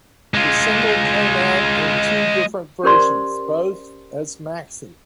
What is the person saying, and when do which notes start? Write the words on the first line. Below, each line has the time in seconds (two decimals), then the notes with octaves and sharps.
The single came out in two different versions, both as maxi.
0.34 G#3 F4
2.83 C#4 G4 A#4 C5 D5 C6